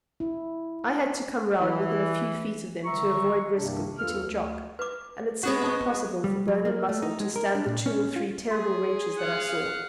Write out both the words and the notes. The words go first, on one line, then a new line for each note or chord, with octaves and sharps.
I had to come round within a few feet of them to avoid risk of hitting Jock, and it seemed impossible for bone and muscle to stand the two or three terrible wrenches that I saw.
E4
E3
D3 D#3 G3 E5 A#5 C#6
C2 G2 C3 D#3 A#3 D4
E2 F4 A4 B4 F6
D2
B4 D6
G#3 B3 F#4 F#5
D#5 A5 C#6
G3
F#3
A#3
A3
D#4
G#3
A#4
D4
A#2
C#4
F4
G#4 C6
F5 F#5